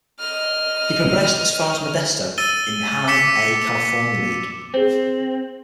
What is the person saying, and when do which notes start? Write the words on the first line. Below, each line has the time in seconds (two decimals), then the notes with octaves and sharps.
He progressed as far as Modesto in the High A California League.
0.20 D#5 F6
2.38 E6 A6 D#7 G7
3.08 D6 B6 C#7 E7
4.74 C4 G#4 C5